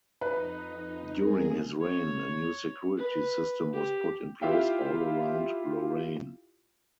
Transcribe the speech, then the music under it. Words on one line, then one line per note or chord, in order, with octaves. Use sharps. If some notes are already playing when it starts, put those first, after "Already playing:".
During his reign a new security system was put in place all around Lorraine.
F2 D#4 B4
G3 C4 G#4 A#4 G#5
C#5
B4
G4
E4 F4 G4 E5 F5 G5